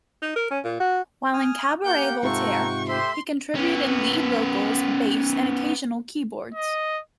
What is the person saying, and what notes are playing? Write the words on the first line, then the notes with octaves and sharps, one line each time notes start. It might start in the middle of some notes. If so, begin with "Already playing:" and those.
While in Cabaret Voltaire, he contributed lead vocals, bass and occasional keyboards.
D#4
A#4
C#4
A#2
F#4
G#5 D#6 F6
A#3 G4 F#5 G5 G6
G#2 C3 F4 A4 A#5 C#6
A3 G4 C5 E5 C6
B3 C#4
D#5